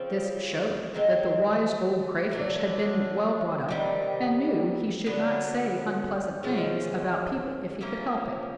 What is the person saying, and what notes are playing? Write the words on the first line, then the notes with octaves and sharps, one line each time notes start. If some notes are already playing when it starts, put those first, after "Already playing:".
This showed that the Wise Old Crayfish had been well brought up, and knew he should not say unpleasant things about people if he could help it.
Already playing: C#3 F3 C4
D#3 G#3 C4
F#3 A3 D4
C3 D#3 G3
D3 F#3 B3
C3 F3 G#3 C#4
F3 A#3 C#4 E4